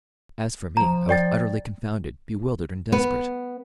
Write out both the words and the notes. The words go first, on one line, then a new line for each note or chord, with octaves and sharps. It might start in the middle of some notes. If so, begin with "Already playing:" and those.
As for me, I was utterly confounded, bewildered, and desperate.
F3 A#5
D5 G5 A6
B3